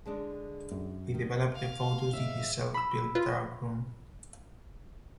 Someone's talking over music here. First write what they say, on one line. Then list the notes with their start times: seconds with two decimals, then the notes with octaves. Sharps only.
He developed the photos in his self built darkroom.
0.05 D3 G#3 D4
0.71 F#2
1.14 D#3
1.55 F5
2.13 G#2 E5
2.74 B5 E6
3.15 F4 B4